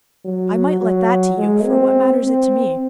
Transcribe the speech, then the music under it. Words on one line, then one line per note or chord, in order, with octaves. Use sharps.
I might let that to you, for what matters it to me?
F#3
F#3
G#3
C4
C4